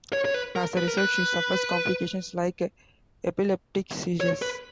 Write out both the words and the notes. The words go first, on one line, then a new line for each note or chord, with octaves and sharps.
As a result, she suffers complications like epileptic seizures.
C#5
C#5
B4
A#4
B4
A#4
B4
C#5
B4